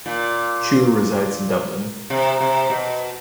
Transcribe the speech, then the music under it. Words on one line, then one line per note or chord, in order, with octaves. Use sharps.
Chu resides in Dublin.
A#2
C3
C3
B2